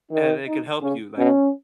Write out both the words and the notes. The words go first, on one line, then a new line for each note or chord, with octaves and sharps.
and it can help you, like,
D#3 D#4
D#4
C#3 C#4
B2 C#4